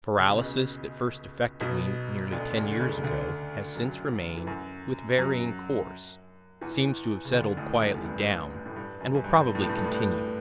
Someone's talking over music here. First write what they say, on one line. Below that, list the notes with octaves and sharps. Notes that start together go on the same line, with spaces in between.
The paralysis that first affected me nearly ten years ago, has since remain'd, with varying course--seems to have settled quietly down, and will probably continue.
C#3
B2
C#2 C#3
B1 B2
D2 D3
D2 D3
D3
C#2 C#3
D2 D3
F#2 F#3
E3
F#2 F#3
F#2 F#3
E2 E3
C#3
D2 D3
A1 A2
F#2
F#2
G2
A2
G2
F#2
F#2
G2
G2
A2
G2
A2
G2
A2
G2